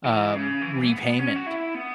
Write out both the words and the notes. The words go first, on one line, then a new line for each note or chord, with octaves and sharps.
um, repayment.
E3
C#3
E3
B3
C#4
F#4
E4
B3